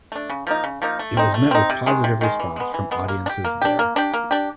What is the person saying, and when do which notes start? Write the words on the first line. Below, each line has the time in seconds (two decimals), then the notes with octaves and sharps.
It was met with positive response from audiences there.
0.12 A3 D4
0.30 C#3
0.47 F3 A#3 D#4
0.64 C#3
0.82 F3 A#3 D#4
0.99 A3
1.17 C4 D#4
1.34 A3
1.51 C4 D#4
1.70 C3
1.86 D#3 G#3
2.04 C3
2.21 D#3 G#3
2.40 E3
2.56 G#3 B3
2.74 E3
2.91 G#3 B3
3.08 A#3
3.26 D4
3.29 G4
3.45 A#3
3.62 D4 G4
3.79 A#3
3.96 D4 G4
4.14 A#3
4.31 D4 G4